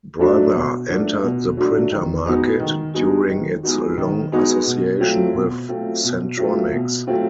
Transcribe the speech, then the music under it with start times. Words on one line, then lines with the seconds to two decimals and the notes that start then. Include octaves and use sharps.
Brother entered the printer market during its long association with Centronics.
0.20 F#3 A3 D4 F#4
0.54 B2
0.89 F#3 A3 D4 F#4
1.23 B2
1.57 F#3 A3 D4 F#4
1.91 D#3
2.26 G#3 B3 D#4 F#4
2.60 D#3
2.94 G#3 B3 D#4 F#4
3.29 D#3
3.63 G#3 B3 D#4 F#4
3.97 D#3
4.32 G#3 B3 D#4 F#4
4.67 B2
5.00 F#3 A3 C4 F4
5.35 B2
5.69 F#3 A3 C4 F4
6.04 B2
6.37 F#3 A3 C4 F4
6.72 B2
7.07 F#3 A3 C4 F4